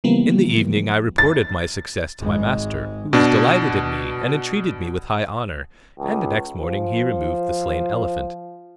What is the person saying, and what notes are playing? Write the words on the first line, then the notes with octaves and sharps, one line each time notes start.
In the evening I reported my success to my master who was delighted in me and entreated me with high honour; and next morning he removed the slain elephant.
C#3 E3 F3 G3 A#3 B3
A6
G#1 G#3
B2 D4
C#2
F3